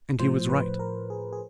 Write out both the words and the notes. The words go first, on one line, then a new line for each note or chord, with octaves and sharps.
And he was right.
A2 F3 C5
B4
A#4
G#4
G#4